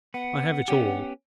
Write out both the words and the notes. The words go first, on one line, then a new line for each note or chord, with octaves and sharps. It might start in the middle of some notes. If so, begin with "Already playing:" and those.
I have it all.
B3 F#5
B3 C#4 G4